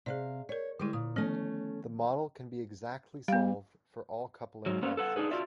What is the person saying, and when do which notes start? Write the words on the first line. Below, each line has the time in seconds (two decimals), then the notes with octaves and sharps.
The model can be exactly solved for all coupling constants.
0.06 C3 G#4 D5 F5
0.49 A#4 C#5 D5
0.79 D3 G3 G#3 E4
0.93 A#2 D#6
1.16 D#3 F3 A3 B3 C#4
3.28 G3 B3 F5
4.66 G#2 F#3
4.83 A3 A#3 C#4 B4 C5
4.97 A4 B4 F#5
5.16 D4 D#4 G#4 B4
5.31 F4 F#4 D5 E5